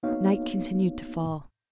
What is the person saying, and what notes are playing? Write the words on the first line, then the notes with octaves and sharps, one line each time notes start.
Night continued to fall.
A#3 B3 D#4 F#4 C#5 F5